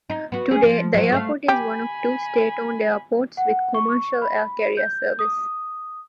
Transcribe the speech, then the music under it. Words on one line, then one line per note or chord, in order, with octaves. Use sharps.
Today, the airport is one of two state-owned airports with commercial air carrier service.
D#4
B3 F#4
C#4 G#4
F3
F#3 C5
A3 E5 F5
G4 G#5 B5
F#5
C#6
B5
G6
D#6